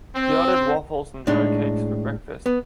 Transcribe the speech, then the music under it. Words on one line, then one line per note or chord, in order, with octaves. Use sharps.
He ordered waffles and hoe-cakes for breakfast.
C4
A2 G#3 D4 D#4
B3